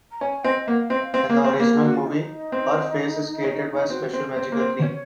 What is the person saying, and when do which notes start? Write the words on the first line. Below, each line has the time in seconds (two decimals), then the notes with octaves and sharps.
In the original movie, her face is created by a special magical cream.
0.12 A#5
0.21 C#4 G#5
0.44 C4 D#5
0.68 A#3 F#5
0.79 F5
0.90 C4 D#5
1.02 F5
1.14 C4
1.30 A#3
1.44 C4
1.60 A#3
1.71 G#4
1.83 F#4
1.94 F4
2.06 D#4
2.52 C4
3.44 C#4
3.75 C#4
3.90 C4 F#4
4.13 C4 G#4
4.36 C4 C#5
4.41 C5
4.52 A#3
4.60 C4
4.82 C#4 C#5